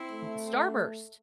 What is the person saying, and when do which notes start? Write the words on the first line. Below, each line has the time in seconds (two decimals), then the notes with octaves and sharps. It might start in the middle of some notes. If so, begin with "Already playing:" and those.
m Starburst
Already playing: C4 E4
0.11 A3
0.47 C4
0.58 B3 D4